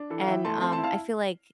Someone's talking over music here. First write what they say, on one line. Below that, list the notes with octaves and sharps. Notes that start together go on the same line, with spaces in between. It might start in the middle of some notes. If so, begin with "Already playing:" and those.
And, um, I feel like
Already playing: D4
E3 A4
F5
E3 E5 G5
A3 A5 C6
C4 A5 C6
A5 C6
E4
F5 A5